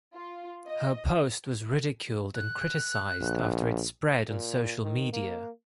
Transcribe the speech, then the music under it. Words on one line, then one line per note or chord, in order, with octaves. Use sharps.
Her post was ridiculed and criticized after it spread on social media.
F4
D#5
F#6
A#1
A#2
D#3
A#3